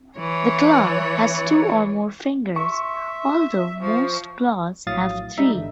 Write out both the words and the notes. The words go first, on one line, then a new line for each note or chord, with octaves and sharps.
The claw has two or more fingers, although most claws have three.
E3 C#5
E5 C6 C#6
F3 C#6
A#1 A2 F#3 F5 D#6 A6
G3 G#3 D#4 E5
G1 D3